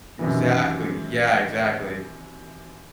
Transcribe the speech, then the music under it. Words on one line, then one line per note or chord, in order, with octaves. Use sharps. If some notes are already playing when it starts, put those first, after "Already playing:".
Exactly, yeah, exactly.
F#2 C3 D#3 E3